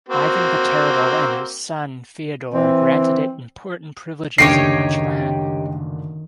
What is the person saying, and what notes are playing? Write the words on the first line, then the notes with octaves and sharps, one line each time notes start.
Ivan the Terrible and his son Feodor granted it important privileges and much land.
A#3 C4 F#4
E3 C4
F#1 D2 D3 D#3 D#4 G4 C#5 C7